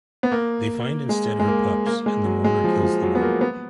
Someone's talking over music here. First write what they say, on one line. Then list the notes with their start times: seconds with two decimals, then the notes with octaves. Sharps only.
They find instead her pups, and the mourner kills them all.
0.23 B3
0.32 A#3
1.09 G#3
1.40 G#3
1.48 A#3
1.86 A#3
2.06 G#3
2.25 F#3
2.44 G#3
2.64 F3
2.83 F3
3.02 F#3
3.15 B3
3.22 A#3
3.41 B3